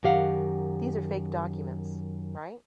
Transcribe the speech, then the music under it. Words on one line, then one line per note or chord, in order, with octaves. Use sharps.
These are fake documents, right?
F#2 D#3 G4 F5 F#5